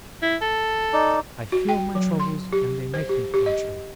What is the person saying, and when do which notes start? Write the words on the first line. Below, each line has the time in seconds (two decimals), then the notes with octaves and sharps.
I feel my troubles, and they make me contrary.
0.22 E4
0.41 A4
0.93 D#4 D5
1.52 F#4
1.69 G5
1.95 F#3
2.20 C6
2.53 G4
2.94 C5
3.09 G4
3.34 G4
3.46 D#5